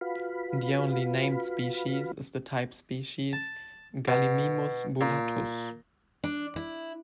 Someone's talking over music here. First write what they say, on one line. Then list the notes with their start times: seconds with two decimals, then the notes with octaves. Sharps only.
The only named species is the type species "Gallimimus bullatus".
0.01 F4 F#4 B4 F5 B5
3.33 A5
4.08 B2
5.01 A#2
6.24 D4
6.56 E4